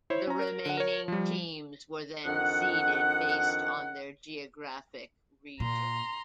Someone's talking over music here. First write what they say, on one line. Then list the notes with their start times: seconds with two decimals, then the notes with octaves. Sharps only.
The remaining teams were then seeded based on their geographic region.
0.10 E4 C5 C#5
0.27 C#4 A#5
0.39 A#4
0.66 D3 F#5
0.77 A#4 C#5
1.08 F3 G3
2.25 F2 D#3 D4 F#5
5.60 A#2 A#5 C6